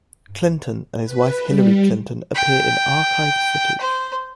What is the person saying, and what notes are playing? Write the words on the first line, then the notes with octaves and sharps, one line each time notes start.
Clinton and his wife Hillary Clinton appear in archived footage.
B4
G3
G5
C5